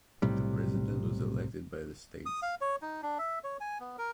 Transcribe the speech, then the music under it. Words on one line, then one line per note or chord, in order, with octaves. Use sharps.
The president was elected by the states.
B1 A2 C3 G3
D#6
F5
C#5
D#4
D4
E5
C#5
G#5
B3
A#4